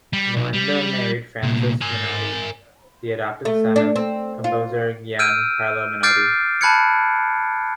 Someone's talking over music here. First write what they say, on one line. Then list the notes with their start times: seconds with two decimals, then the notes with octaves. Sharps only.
Malinda married Francis Menotti, the adopted son of composer Gian Carlo Menotti.
0.13 G3
0.36 B1
0.54 G3
1.43 C2 A#2
1.81 A#4 G#5
3.45 A3
3.76 D4
3.96 C4
4.44 F4
5.19 E6 F6 G6 D7 D#7
6.03 D6 F6 G6 A6 C7 D7
6.61 A5 B5 F#6 G#6 C#7